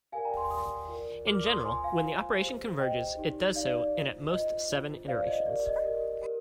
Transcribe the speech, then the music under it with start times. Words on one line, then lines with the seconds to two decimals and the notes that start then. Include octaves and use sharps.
In general, when the operation converges it does so in at most seven iterations.
0.12 G4 A#4 D5 F5 G#5
0.25 G5 A#5
0.37 G#5 C6
0.51 G4 A#4 D5 C6 D#6
0.88 F4 A#4 D5
1.26 F4 A#4 D5 D6 F6
1.46 C6 D#6
1.64 F4 G#5 C6
1.68 C5
1.84 F5 G#5
2.03 F4 C5
2.42 G4 C5
2.79 G4 C5 D#5 G5
3.17 D#4 G4 D5
3.55 D#4 G4 D5 F5
3.74 D5
3.94 F4 C5
4.31 F4 C5 D#5
4.70 D4 F4 C5
5.07 D4 F4 C5 D5 F5
5.27 D#5
5.46 G4 A#4 D5
5.66 D#5
5.84 G4 A#4 D5 D#5
6.22 G4 A#4